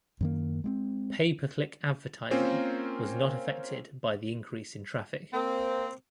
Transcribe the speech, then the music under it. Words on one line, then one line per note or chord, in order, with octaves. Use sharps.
Pay-per-click advertising was not affected by the increase in traffic.
F#2 D#3 A#3
G#3 A#3 C4
A#3 C4 C#4 F4 A#4 C5
A#3 C4